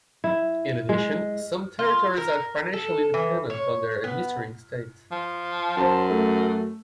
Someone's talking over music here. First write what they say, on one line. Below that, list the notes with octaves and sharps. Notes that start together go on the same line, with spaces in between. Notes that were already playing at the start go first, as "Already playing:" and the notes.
In addition, some territories are financially dependent on their administering state.
E4
G#3
F4
A#4
A4
E3
C#5
B3
F3
F#2 C5 A5
A3